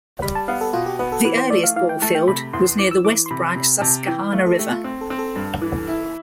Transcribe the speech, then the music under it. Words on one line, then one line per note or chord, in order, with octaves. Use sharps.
The earliest ballfield was near the West Branch Susquehanna River.
G3 B5
A5
B3 F5
A4
B2 F4
G4
B3 B4
A4
E3 B4
C5
A3 D5
F5
E3 F5
G5
A3 A5
G5
C3 B5
E2 C6
E3 D6
E6
E3 D6
C6
C3 B5
C3
C3 A5
E3 G5
A3 F5
A4
A3 G4
F4
C4
A4
C4
A4
G2
E3
E4